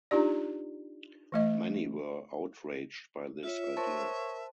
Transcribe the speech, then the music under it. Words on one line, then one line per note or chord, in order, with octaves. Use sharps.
Many were outraged by this idea.
D4 D#4 F4 G4 D5
E3 A3 D#5
F4 C#5 E5
A#4 C5 C#5 A5